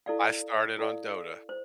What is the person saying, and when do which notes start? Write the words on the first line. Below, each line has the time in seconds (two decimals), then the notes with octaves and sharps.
I started on Dota.
0.06 E4 A4 D5 F5
0.79 E4 A4 D5 F5
1.49 C5